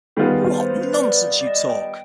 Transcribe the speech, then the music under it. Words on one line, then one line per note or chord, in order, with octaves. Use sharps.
What nonsense you talk!
D#3 G3 B3 F4 G#4
C5
C5
B4
D5
D5
D5
D#5
G5